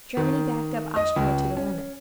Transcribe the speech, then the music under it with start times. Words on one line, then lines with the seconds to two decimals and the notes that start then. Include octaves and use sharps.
Germany backed up Austria to the limit.
0.17 D#3
0.96 D#5
1.16 C#2
1.57 C#4